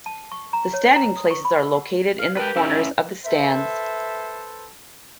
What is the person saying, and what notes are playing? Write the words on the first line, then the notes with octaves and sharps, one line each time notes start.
The standing places are located in the corners of the stands.
A5
C#6
A#5
C#5
A#5
D#6
C#6
B5
E6
F#5
F5
G4 A#4 B4 G5
C#4 E4 E5
A4 B4 C5 E5